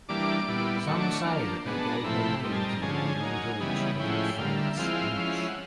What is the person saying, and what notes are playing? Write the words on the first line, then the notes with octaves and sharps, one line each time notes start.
Some say that they gave their name to the neighbouring village of France Lynch.
E3 G3 A#3 D4 D6
A#2 G3 B3 E4
D#3 F#3 A3 D4 C#6
D6
C#6
F3 A#3 D4
B2 G#3 B3 D4
A5
A#5
A2 F3 A3 C4 E4 B5
A#2 G3 C4 D#4
G#5
A5
A#5
D3 F3 G#3 C#4 G#5
A5
G#5
F#3 A#3 D#4
C#3 E3 G3 B3 D#4
A2 F3 G#3 C#4 E4 G5
F#5
G5
D3 G3 A#3 F5
E5
F3 G#3 C4 E4 F5
F3 G#3 C#4 E4
F#5